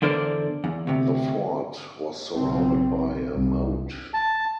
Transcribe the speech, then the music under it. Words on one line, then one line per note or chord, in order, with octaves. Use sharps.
The fort was surrounded by a moat.
E2 D3 A#4 C5 D5
E2
D2 C3
B1 C#3 C4
C2
A5